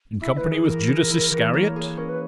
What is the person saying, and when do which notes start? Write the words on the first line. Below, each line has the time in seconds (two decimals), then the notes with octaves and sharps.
"In company with Judas Iscariot?"
0.21 E4 E5
0.36 B4
0.43 E3
0.51 G#4
0.65 A#3 A#4
0.88 G#4
1.10 E4
1.31 E3
1.53 A#3 C#5
1.68 C#5
1.76 G#4
1.83 C#5
1.97 C#4 A#4
2.08 B4